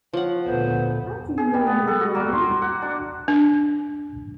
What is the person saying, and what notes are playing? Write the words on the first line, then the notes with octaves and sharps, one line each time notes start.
I didn't know you were gone.
F3 C#5 F#5
D2 A#2 B3 C5
G#4
G3
B3
A4
F#4
A#3
C6
F#5
D4
D4